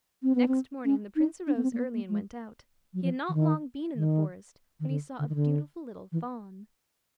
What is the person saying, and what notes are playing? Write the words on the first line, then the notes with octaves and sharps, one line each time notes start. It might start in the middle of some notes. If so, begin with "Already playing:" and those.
Next morning the Prince arose early and went out; he had not long been in the forest when he saw a beautiful little Fawn.
C4
B3
C4
C#4
D#4
D4
B3
C4
A#3
B3
A#3
G#3
F#3
F3
E3
D#3
D#3
D#3
D3
D3
D#3
D3
E3